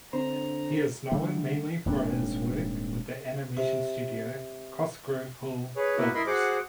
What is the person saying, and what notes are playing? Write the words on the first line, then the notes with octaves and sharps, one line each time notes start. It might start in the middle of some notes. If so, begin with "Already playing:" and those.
He is known mainly for his work with the animation studio Cosgrove Hall Films.
D3 C4 D4 C5 A#5
D3 G3 A3
D#1 G#2 C4 D4
C3
G#4 B4 C#5
A#3 B3 E4 F#4 B4
E4 A#4 D#5 B5 C6
F#4 G#4 C5 F#5 D6